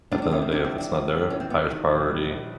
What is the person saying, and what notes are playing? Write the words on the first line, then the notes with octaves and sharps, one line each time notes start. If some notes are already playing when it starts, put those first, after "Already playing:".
at the end of the day, if it's not there, highest priority,
C#2 D4
C#4
D4
C3 C#4
C4
C#2 D4
C4
E3
D4
C#2
C#2
E3 C#4
C4
E3 B3
D#3
A#1
G3
A#1